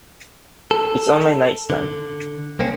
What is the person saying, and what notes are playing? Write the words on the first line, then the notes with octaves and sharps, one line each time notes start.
It's on my nightstand.
A4
D3
B1 A#3 C4 C#4